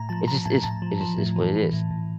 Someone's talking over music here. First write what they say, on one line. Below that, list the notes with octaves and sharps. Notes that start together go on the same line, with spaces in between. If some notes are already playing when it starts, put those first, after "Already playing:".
it's just it's it just what it is.
Already playing: A2 A#5
F3 A5
F3 A#5
A2 A5
A2 A5
F3
F3
A2
E3
E3
A2
A2